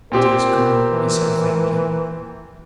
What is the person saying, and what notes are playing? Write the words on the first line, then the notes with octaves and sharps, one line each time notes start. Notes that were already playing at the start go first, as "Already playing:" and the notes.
"It has gone!" he said faintly.
A#2 C4 G4 A#4
E3